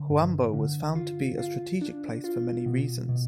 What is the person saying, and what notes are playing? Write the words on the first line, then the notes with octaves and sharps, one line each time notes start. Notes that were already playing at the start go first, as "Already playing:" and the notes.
Huambo was found to be a strategic place for many reasons.
Already playing: D3
G2
D3
F4
F4
D4
F4
B2
B2